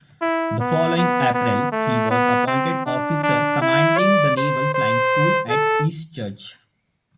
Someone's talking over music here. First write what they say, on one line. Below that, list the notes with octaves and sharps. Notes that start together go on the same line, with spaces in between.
The following April he was appointed Officer Commanding the Naval Flying School at Eastchurch.
E4
B3
B3
B3
A3
B3
C4
D4
D4
E4
D5
C5
C5
A4